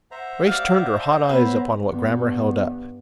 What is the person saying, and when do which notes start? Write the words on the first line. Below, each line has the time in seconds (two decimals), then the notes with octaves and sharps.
Grace turned her hot eyes upon what Grammer held up.
0.11 C5 E5 F#5 A#5
0.47 D5 F5
0.95 F#5
1.29 B3 B4 C#5
1.86 G2 B3